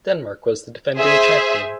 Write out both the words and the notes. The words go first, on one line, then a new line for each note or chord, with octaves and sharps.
Denmark was the defending champion.
G#4 C5 E5